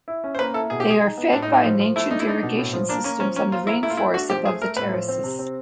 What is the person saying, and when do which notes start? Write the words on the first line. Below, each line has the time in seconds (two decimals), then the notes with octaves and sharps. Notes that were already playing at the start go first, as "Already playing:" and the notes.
They are fed by an ancient irrigation system from the rainforests above the terraces.
0.08 E4
0.24 C#4
0.35 C5
0.39 A#3 B4
0.54 E4 A4
0.70 B2 G#4
0.80 G4
0.86 G#3 G#4
1.02 D#4
1.18 B3
1.33 A2 D4
1.42 D#4
1.48 A2
1.54 D#4
1.65 F3
1.80 F3
1.96 A3 E4
2.11 D4 D#4
2.20 E4
2.27 D4 D#4
2.43 B2
2.58 A2
2.73 F3
2.89 A#3 D4
3.04 A#3 C#4
3.20 F3 C#4
3.36 A#3 C#4
3.52 F3 F4
3.67 A#3 E4
3.83 A3 E4
3.90 F4
3.97 A3 E4
4.14 D4 F#4
4.29 F3 G4
4.45 A3 G#4
4.62 A3 A#4
4.76 A2 B4
4.92 F3
5.08 C4
5.24 C3
5.39 C4